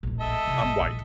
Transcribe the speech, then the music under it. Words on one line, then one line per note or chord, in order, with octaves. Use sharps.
I'm white,
D1 A#1
A4 D#5 E5
C2
G1
A#1